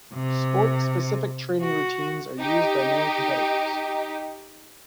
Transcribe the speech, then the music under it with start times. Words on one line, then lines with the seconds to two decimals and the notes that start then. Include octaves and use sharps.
Sport-specific training routines are used by many competitors.
0.14 C3
1.62 F#4
2.40 D#4 G4